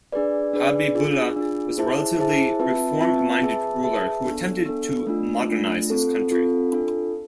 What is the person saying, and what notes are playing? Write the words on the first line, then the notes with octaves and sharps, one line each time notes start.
Habibullah was a relatively reform-minded ruler who attempted to modernize his country.
D4 G#4 B4 D5
D4 G#4 B4 D5
D4 F4 G#4
D4 F4 G#4
E4 G#4 C5 E5 A5
E4 G#4 C5 E5 A5
C4 F4 B4 E5 A5
C4 F4 B4 E5 A5
G#4 B4 E5 A5
G#4 B4 E5 A5
B3 D4 A4
B3 D4 A4
A3 D4 F4
A3 D4 F4
C4 F4 A4
C4 F4 A4
D4 F4 A4